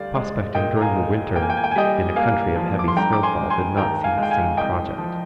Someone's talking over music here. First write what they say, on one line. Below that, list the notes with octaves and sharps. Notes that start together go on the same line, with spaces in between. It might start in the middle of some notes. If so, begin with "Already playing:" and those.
Prospecting during the winter in a country of heavy snowfall did not seem a sane project.
Already playing: D2 G3 D5 F5
G#3
A#2 D#5 G5
A#5
F5 G#5
G#3
A#3 G5
G#5
G5
G#5
G5
G#5
G3 D#5 G5
A#3 F5 G#5
F3
D6
C6
G2 G5 A#5
D6
G#5 C6
G#3
G#5 C6
D#2 G5 A#5
F5 G#5
G#3
G5
F5 G#5
C2 D#5 G5
F3